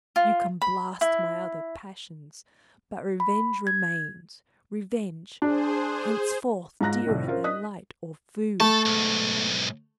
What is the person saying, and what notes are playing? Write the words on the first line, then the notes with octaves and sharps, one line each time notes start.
You can blast my other passions, but revenge remains--revenge, henceforth dearer than light or food!
F4
B5
E4
B5
G#6
D4 G#4 C5
G#2 F4 A#5 F#6 A#6
C2 A2 D#3
C#4 F4 A#4 C5
D#5 D#6 F#6 B6
A3 A4 A5
B1 G#2